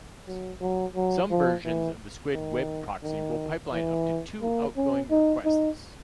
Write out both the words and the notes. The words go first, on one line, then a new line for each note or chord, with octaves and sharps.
Some versions of the Squid web proxy will pipeline up to two outgoing requests.
F#3
F#3
F#3
F3
E3
D#3
D#3
E3
A#3
C#4
D#4
D#4